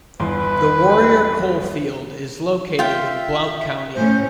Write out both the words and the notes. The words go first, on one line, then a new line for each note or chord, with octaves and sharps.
The Warrior coal field is located in Blount County.
G1 E2 B4 C6
F4 E5 G5
A2 C#4 C5